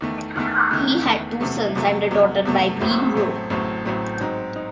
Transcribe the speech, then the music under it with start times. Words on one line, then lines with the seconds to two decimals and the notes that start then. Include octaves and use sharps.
He had two sons and a daughter by Greenwood.
0.01 E2 D#3 A3
0.36 E2 D#3 A3
0.71 E2 D#3 A3
1.05 E2 D#3 A3
1.41 E2 C3 F#3 A3
1.76 E2 C3 F#3 A3
2.11 E2 C3 F#3 A3
2.45 E2 C3 F#3 A3
2.80 A1 A2 F#3 A3 C4
3.15 A1 A2 F#3 A3 C4
3.50 A1 A2 F#3 A3 C4
3.85 A1 A2 F#3 A3 C4
4.20 G#2 F#3 C4 D#4
4.56 D#4